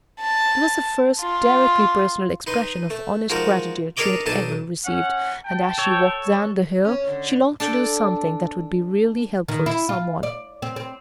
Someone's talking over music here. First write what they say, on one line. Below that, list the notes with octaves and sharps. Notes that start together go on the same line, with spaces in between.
It was the first directly personal expression of honest gratitude she had ever received; and as she walked down the hill, she longed to do something that would be really helpful to some one.
A5
F4
D#4 B4 C6
A3
F3 G#3 D#4 F#4 A#4
D4 G#4 A#4 C#5 D#5 D6
B1 D4 D#4 A4 G#5 A5
C#4 F#5
G5 A5
A4 C#5
C#4
D3
D4 A4 G5
D#3
E4
F4
D5
C4
C4